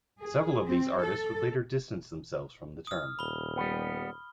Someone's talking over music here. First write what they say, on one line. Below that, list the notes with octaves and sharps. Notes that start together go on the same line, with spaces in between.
Several of these artists would later distance themselves from the term.
G#4
C4
A4
D#6 F6
D#1 B5 G7
G3 B3